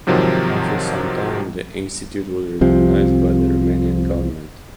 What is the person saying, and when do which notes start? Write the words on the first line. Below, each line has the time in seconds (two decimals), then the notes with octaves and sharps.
After some time the institute was recognized by the Romanian government.
0.07 G#2 C3 D#3 F3 F#3
2.61 C2 C3 F3